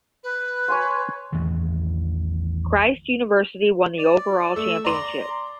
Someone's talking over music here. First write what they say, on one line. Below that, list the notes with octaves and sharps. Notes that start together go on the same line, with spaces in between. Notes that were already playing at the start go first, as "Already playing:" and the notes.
Christ University won the overall championship.
B4
C#5 G#5 C6
A1 E2 D#3 E3
D5
A3 E6
D5 A#5 C6 D6